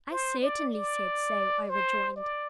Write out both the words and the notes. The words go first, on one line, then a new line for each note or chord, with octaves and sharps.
"I certainly said so," I rejoined.
C5
D5
D5
C5
D5